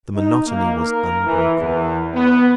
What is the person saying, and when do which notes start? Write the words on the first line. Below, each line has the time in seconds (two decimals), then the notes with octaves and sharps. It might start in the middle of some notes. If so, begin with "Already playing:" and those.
The monotony was unbroken.
0.15 D#4
0.47 A#3
0.83 A#4
1.25 E3
1.60 E2
2.14 B3